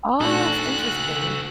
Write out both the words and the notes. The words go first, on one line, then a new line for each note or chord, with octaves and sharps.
Oh, that's interesting.
A#2 A3 D4 D#4 F#4 A4 D5 F#6